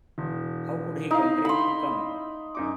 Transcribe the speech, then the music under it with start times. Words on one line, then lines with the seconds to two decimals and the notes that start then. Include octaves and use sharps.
How could he contrive to come?
0.18 E1
1.11 D#4 E4 F5
1.45 B5 C6
2.55 F#2 D#4 D6